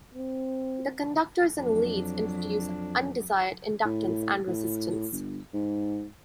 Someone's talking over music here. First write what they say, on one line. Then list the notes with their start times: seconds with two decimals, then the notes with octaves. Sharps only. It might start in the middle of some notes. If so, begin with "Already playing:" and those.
The conductors and leads introduce undesired inductance and resistance.
0.14 C4
1.57 F2 F#3 D4
3.85 A2
4.47 A2
5.12 G1
5.53 G#2